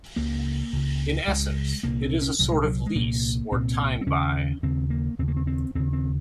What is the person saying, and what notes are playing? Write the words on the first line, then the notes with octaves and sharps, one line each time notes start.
In essence, it is a sort of lease or time-buy.
C#2 C#3 A#3
C#2 C#3
C#2 C#3 G#3
C2 A#2 A#3
C4
C#4
C2 A#2 F#3
G#3
F#3
G#3
C2 A#2 A#3
C2 A#2 C4
C4
D#2 C#3 C#4
D#2 C#3 C4
A#3
D#2 C#3 C4
A#3
C4
C4
D#2 C#3 C4
C4